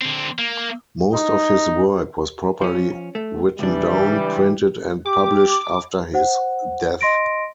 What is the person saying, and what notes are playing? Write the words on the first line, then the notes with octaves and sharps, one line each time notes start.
Most of his work was properly written down, printed and published after his death.
D3 C4
A#3
D#4
F3 C#4
A3
C#2 E3 G3 D4
G4 D6
C5 F#5
D#5 C6 A#6 D7